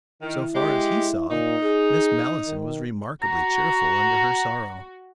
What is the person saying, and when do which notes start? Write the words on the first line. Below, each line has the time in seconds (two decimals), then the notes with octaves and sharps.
So far as he saw, Miss Malleson was remarkably cheerful under her sorrow.
0.22 D#3 E4
0.55 G#3 G4
1.30 A#2 D#4
1.63 G#4
2.46 D#3
3.23 F#4 A#5